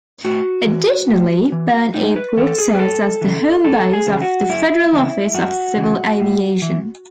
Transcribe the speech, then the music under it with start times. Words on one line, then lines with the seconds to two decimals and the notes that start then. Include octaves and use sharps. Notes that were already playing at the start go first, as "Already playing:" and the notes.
Additionally, Bern Airport serves as the homebase of the Federal Office of Civil Aviation.
0.25 A2 F#4
0.66 E3
1.09 A2
1.52 E3
1.94 A2 D#4
2.16 B4
2.37 E3 A4
2.58 G#4
2.75 B4
2.79 F#2 A4
3.21 C#3 E3
3.64 F#2 A4
3.93 G#4
4.06 C#3 E3
4.22 F#4
4.49 F#2 E4
4.92 C#3 E3
5.34 F#2 F#4
5.77 C#3 E3
6.20 A2
6.62 E3